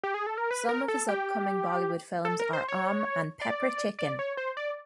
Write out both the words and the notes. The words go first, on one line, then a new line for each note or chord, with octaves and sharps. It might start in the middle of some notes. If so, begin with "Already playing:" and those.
Some of his upcoming Bollywood Films are "Om" and "Pepper Chicken".
G4
G#4
A4
A#4
B4
A#4
A4
G4
A4
A#4
C5
C#5
D5
D5
C#5
C5
D5